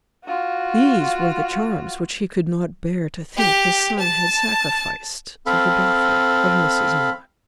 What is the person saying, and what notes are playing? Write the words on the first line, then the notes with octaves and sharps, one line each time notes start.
These were the charms which he could not bear to think his son had sacrificed to the daughter of Mrs Miller.
F4 F#4
G4
A5
C4 A4 F5 B5